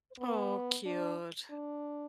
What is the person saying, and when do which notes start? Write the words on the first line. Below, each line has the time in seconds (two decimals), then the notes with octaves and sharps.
Oh, cute,
0.19 B3
0.85 D4
1.50 D4